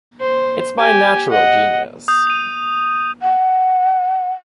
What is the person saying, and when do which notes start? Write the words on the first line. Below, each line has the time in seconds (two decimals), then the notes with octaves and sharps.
It's my natural genius.
0.20 C5
0.79 G4 G#5
1.30 D#5 F#5
2.08 D#6 G6
2.27 D#7 F7
3.21 F#5